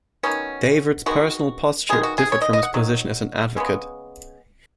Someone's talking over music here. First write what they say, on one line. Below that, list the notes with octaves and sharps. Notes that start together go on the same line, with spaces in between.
Davis's personal posture differed from his position as an advocate.
D#3 F#3 B3 C#4
D#3 G#3 B3 F#4
D#3 G#3 B3 G#4
F#4
G#4
C#5
D#5
D#5
F#5
D#3 F#3
C#3 G#3 B3